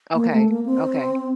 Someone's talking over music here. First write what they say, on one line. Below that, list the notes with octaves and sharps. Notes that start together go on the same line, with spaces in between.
Okay. Okay.
A#3
A3
A#3
C4